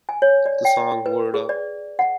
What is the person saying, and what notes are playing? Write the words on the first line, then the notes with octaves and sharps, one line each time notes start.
The song Word Up!
G#5
C#5
D5
G5
B4
G#4
D5
F#5